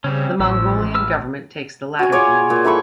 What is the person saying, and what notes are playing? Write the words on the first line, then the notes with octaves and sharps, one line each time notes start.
The Mongolian government takes the latter view.
C#3 G3 C4 C#4
A1 F3 E6
B4 E6 F6
F#4 G#5
F4 G#4 C#5 D5
A#2
E3 A4 B5 C#6